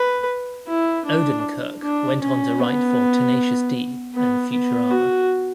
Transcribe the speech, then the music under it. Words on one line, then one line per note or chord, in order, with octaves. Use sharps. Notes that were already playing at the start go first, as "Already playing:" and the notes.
Odenkirk went on to write for "Tenacious D" and "Futurama".
Already playing: B4
E4
D4
D4
C#4
B3
B3
B3
F#4